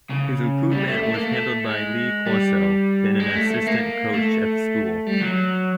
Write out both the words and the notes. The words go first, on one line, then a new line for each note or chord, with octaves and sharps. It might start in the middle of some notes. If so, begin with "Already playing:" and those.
His recruitment was handled by Lee Corso, then an assistant coach at the school.
C#3
G3
A3
A3
A#3
A3
G#3
G3
G#3
A3
A3
A#3
A3
G3
F#3